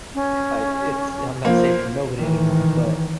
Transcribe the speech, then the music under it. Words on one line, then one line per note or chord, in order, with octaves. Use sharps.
like, it's I'm not safe from nobody anymore. But,
C#4
F3 A#3 C5
D#3 E3